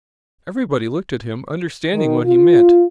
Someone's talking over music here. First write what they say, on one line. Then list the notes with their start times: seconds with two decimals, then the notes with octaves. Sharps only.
Everybody looked at him, understanding what he meant.
1.94 D#3
2.25 F4